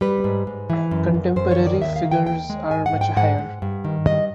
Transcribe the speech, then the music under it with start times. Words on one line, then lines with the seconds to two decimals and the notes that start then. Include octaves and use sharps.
Contemporary figures are much higher.
0.01 G3 B4
0.24 G#2
0.47 G#2
0.70 E3
0.91 F#2
1.14 F#2
1.36 F#2 C5
1.51 C#5
1.58 D#3
1.67 D5
1.82 D#2 E5
1.96 F5
2.05 D#3
2.12 G5
2.27 D#2 G5
2.50 G#3
2.71 G#2 G#5
2.86 F#5
2.93 G#2
3.01 G5
3.17 G#2 F#5
3.39 G#2
3.62 G2
3.85 D#3
4.06 G2 D#5